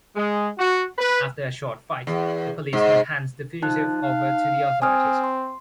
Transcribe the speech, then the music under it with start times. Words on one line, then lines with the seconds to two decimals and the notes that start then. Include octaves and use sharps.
After a short fight, the policeman hands the fugitive over to the authorities.
0.16 G#3
0.58 F#4
0.99 B4
2.07 E2
2.73 G#2
3.62 F3 D#4 A5 F#6
4.03 F5
4.82 C4 G#5 D#6 F6
5.24 C6